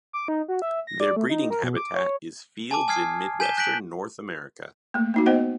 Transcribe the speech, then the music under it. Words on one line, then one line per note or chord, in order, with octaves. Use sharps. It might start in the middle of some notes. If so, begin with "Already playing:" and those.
Their breeding habitat is fields in midwestern North America.
D6
D#4
F#4
E5
A#6
D5
A3
D#4
A#4
B2
D6
C#5
G#5 A5 D6
G#5 D#6 F6 G#6 C7
G#5 G6 B6 D#7 E7 G7
F#6 G6 A#6 B6 D7 F#7
A3 A#3
A#3 D#4 F#4
B3 C5 D#5 F#5